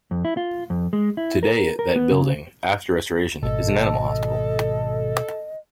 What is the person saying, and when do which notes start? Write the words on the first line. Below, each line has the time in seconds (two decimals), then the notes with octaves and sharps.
Today that building, after restoration, is an animal hospital.
0.11 F2
0.25 E4
0.37 F4
0.70 F2
0.93 G#3
1.17 E4
1.43 A#4
1.79 A#4
1.96 B3
2.11 C#3
3.43 G#1 B2 A4 D#5